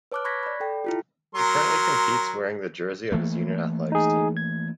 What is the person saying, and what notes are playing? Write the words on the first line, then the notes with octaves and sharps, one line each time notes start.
He currently competes wearing the jersey of his unit athletics team.
B4 C#5 A5 D6 F6 F#6
B5 C#6 F#6 G#6 A#6 B6
D5 B5
A4 G5
E4 F4 G4
F#3 A#4 C6
E3 A3 A#3
D#4 G#4
G#6